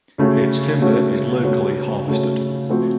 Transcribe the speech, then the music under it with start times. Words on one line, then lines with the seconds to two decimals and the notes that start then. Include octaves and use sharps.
Its timber is locally harvested.
0.18 C#3 A3 C#4 F#4
0.81 C#3 A3 C#4 F#4
1.44 C#3 A3 C#4 F#4
2.07 C#3 A3 C#4 F#4
2.69 F3 A3 C4 F#4